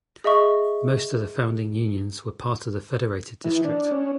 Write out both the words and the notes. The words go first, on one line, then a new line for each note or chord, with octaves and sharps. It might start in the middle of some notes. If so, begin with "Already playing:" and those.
Most of the founding unions were part of the Federated District.
G#4 D#5 E5 C#6
E3
D4
C#4